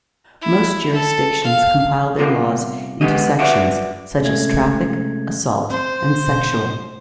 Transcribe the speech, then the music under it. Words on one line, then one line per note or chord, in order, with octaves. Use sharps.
Most jurisdictions compile their laws into sections, such as traffic, assault, and sexual.
E4
A4
F5
C2 B3 D4 F4 A#4
G#3 B3 G4 D#5
F#4 G#4 B4 D5 E5 F#5
C3 G#3 A3 C#4 G#6
C4 C5
B2